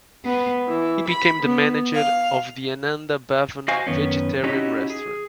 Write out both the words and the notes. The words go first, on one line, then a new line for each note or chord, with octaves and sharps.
He became the manager of the Ananda Bhavan Vegetarian Restaurant.
B3
E3
B5
B3
F5
F#4 C5 D#5 F5 G#5
F#2 D#3 B3 C#4
C#4 D#4 E4 F#4 G4 D#5
G#4